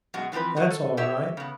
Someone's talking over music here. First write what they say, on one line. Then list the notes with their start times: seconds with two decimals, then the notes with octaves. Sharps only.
That's all right.
0.14 F#2 B2 G#3 F#4
0.32 E3 F3 B3 C4 B4
0.57 D#3 F#4
0.71 A4
0.97 G4 C#5 E5
1.37 C#3 B3